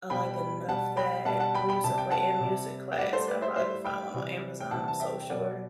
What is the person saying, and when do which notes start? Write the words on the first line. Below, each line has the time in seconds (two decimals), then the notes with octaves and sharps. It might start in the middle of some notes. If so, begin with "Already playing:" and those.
I liked enough that we used to play in music class. I probably could find one on Amazon, I'm so sure,
0.10 B2 G3 G5 B5
0.68 B2 G3 F#5 A5
0.97 G5 B5
1.25 B2 G3 F#5 A5
1.40 F#5 A5
1.55 G5 B5
1.69 G5 B5
1.84 C3 G3 A5
1.98 G5
2.11 F#5 A5
2.41 C3 G3
2.92 G5
2.98 A2 G3 D5 F#5
3.13 A4 C5
3.27 B4 D5
3.41 C5 E5
3.56 A2 G3 C5 E5
3.85 G5 B5
4.14 C3 E3 G3
4.60 G5
4.71 C3 E3 G3 F#5 A5
4.88 A5
5.00 E5 G5
5.20 G5
5.29 B2 F#3 D5 F#5